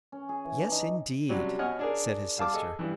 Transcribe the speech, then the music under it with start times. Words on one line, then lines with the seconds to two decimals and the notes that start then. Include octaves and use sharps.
"Yes, indeed!" said his sister.
0.12 C#4
0.29 G#4
0.44 E3
0.59 D4
0.72 D#4
1.29 C3 F#3 G3 C#4 D4
1.59 B2 C#5 D#5 F#5 G#5 F6
1.79 D4 G#4 A#4
2.38 G3 F5 A5 D6
2.53 G#4 A4 D#5
2.79 G2 E3